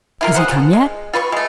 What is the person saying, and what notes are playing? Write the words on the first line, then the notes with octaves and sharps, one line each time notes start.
"Has he come yet?"
E4 F4 A#4
G#4 C5 F#5
F3
G#3
F4 B4 C6 C#6
G#3 A3